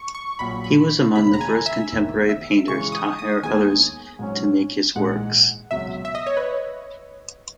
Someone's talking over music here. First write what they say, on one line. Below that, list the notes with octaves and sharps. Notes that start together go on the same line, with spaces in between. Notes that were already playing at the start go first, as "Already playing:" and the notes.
He was among the first contemporary painters to hire others to make his works.
Already playing: C#6
C#6
A#1 A#2 F#3 B5
B5
E1 D#2 C#3 G#3 C#4 B5
A#5
G#5
E5
F#1 E2 D#3
E5
C#3 E3 G#3 C#6
D#6
D#6
D#2 D#3 G#3 B3 G#5
G#2 F#3 C#4
A#1 G#2 E3 G#3 F#5
C#2 B2 F#3 E5
E5
D#5
C#5
B4